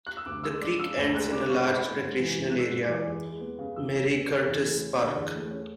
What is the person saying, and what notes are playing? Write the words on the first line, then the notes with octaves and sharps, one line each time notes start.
The creek ends in a large recreational area, Marie Curtis Park.
F#6
E6
D2 D6
G#3 E6
D4 D6
C#3 E6
D2
G#3 F#6
D4 D6
C#3 C#6
G#2 B5
G#3
G#2
E3
G#2
G#3 F#6
E6
G#2
E3 D6
E2
G#3
B3
C#3
E2 E6
G#3
B3
C#3
E2
A3
C#4
D3
E2
A3
C#4